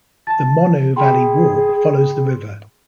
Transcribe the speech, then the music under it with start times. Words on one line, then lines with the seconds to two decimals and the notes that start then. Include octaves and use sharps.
The Monnow Valley Walk follows the river.
0.27 A5 A6
0.96 G#4 G5 B5 C6